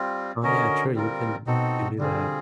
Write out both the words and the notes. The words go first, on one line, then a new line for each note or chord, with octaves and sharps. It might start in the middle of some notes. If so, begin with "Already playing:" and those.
Oh, yeah, true, you can you can do that.
Already playing: G3 C4 F4
D3 C#4 F#4 A#4 D#5
G3 C4 F4 A#4
B2 C4 D#4 F#4 A4
D3 G3 C4 F4 G#4